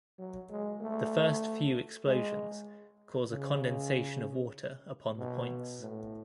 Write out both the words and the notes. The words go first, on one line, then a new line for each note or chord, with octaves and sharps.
The first few explosions cause a condensation of water upon the points.
F#3
G#3
A3
G#3
C#3
B2
A2